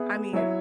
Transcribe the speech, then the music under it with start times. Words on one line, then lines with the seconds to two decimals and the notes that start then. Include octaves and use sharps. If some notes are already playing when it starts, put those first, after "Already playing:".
I mean,
Already playing: B3 G#4 E5
0.33 F#3 E4 C#5 E5